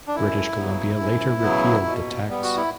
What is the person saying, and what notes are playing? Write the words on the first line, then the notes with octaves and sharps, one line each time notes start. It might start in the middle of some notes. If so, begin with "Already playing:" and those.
British Columbia later repealed the tax.
D4
F#2 E4
C#3 F#3 B3
F#2
C#3 F#3 B3
B2
G3 B3
F#4
E4